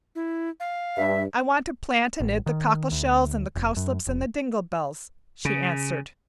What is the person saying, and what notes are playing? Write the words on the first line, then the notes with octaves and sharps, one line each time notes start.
"I want to plant in it the cockle-shells and the cowslips and the dingle-bells," she answered.
E4
F5
G2 E5
A1
D#3
D2
F1
F#2
F1
C#3